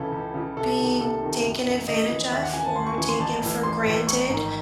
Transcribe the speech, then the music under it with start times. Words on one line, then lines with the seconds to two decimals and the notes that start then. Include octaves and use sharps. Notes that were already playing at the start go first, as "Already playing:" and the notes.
being taken advantage of or taken for granted,
Already playing: C#2 C#3 E3 A4
0.12 C#2
0.34 C#3 E3
0.57 C2 A4
0.78 C3 D#3
1.01 C2 A4
1.23 C3 D#3
1.44 F#1
1.66 F#2 E3
1.88 F#1 D#5
2.10 F#2 E3
2.32 D#2 E5
2.43 F#5
2.53 C#3 E3 G#5
2.65 A5
2.75 D#2 C6
2.87 C#6
2.98 C#3 E3 C#6
3.09 C6
3.20 A1 A5
3.42 A2 E3
3.63 A1 C6
3.86 A2 E3
4.07 A1 C#6
4.29 G#2 D#3